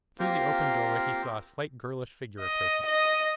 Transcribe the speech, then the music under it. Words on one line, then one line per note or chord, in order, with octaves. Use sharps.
Through the open doorway he saw a slight girlish figure approaching.
A#3 C4 F4 G4 A#4 C5
D#5
D#5